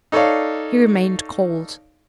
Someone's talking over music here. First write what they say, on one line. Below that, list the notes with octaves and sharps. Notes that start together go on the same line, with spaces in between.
He remained cold.
D#4 A4 C#5 D5 F5